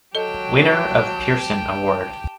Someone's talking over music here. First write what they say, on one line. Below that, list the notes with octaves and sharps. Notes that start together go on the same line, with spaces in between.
Winner of Pearson award.
F#3 G4 A4 D#5 G5 A5